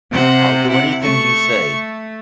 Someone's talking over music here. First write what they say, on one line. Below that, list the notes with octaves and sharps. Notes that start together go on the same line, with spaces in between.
I'll do anything you say.
C3 C5 F#5
E4 F#5
A3 C#6